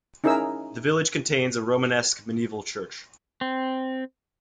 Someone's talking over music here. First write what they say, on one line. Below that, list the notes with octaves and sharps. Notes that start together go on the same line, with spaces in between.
The village contains a Romanesque medieval church.
C#4 D#4 E4 G#4 A#4 E6
C4